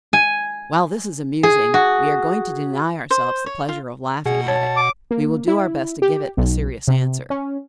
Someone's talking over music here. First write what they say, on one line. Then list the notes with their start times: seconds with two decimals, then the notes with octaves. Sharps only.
While this is amusing, we are going to deny ourselves the pleasure of laughing at it; we will do our best to give it a serious answer.
0.13 G#5
1.43 G#4
1.74 F#4
3.11 C5
3.46 C#5
3.69 F4
4.26 B2 G#4 F#5
4.48 C#5 A5
4.77 D6
5.11 A#3
5.48 E4
6.02 G4
6.37 B1
6.88 C3
7.30 C#4